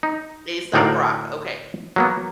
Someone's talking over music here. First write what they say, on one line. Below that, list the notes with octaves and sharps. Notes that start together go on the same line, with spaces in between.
Aesop Rock, okay.
D#4
D2 A2 D#4 A#4 D5 F5
F#3 A#3 B3